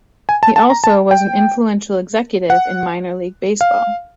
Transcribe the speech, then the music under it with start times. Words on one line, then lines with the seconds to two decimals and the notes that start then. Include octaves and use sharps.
He also was an influential executive in minor league baseball.
0.29 G#5
0.43 A5
0.56 A5
0.70 A#5
0.84 A5
1.11 G5
2.50 F#5
3.61 F5